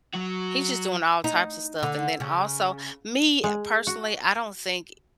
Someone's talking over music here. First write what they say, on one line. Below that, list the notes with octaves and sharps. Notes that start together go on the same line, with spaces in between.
he's just doing all types of stuff, and then also me, personally, I don't think
F#3 F#4
D#4
D3
C#3
G#3
F#4